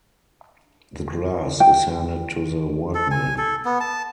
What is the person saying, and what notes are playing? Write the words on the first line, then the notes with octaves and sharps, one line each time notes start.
The glass is handed to the workman.
G5
A4
G#5
A4
B3
A5